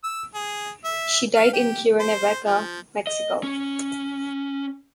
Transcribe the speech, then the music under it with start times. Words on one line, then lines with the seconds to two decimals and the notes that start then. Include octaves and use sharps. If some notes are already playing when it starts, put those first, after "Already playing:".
She died in Cuernavaca, Mexico.
0.04 E6
0.34 G#4
0.84 E5
1.35 F5
1.53 G4
2.00 C5
2.46 F3
3.07 D#5
3.43 C#4